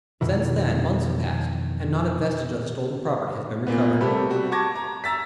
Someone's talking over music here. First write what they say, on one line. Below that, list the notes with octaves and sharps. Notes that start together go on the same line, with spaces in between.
Since then months have passed and not a vestige of the stolen property has been recovered.
F2 B2 D#3 E3
A#2 A#3 B3
C3 G3 A3 B5
G3 F#4
A5 C#6 D6 G#6 A#6
A#5
A#5 E6 A6 B6